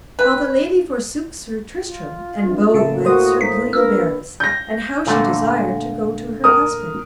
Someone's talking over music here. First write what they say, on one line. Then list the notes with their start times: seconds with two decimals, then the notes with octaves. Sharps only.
How the lady forsook Sir Tristram and abode with Sir Bleoberis, and how she desired to go to her husband.
0.19 B4
1.85 F4
2.43 G2 C3
2.74 A2 C#3 A#3 A4 A#4 E5
3.05 F#4 C5 D#6
3.41 D#4 B6
3.73 A#1 A#3 F4 A#4 B4 E6
4.40 G6 A#6
5.07 A#2 D3 A3
6.44 A#4 D#6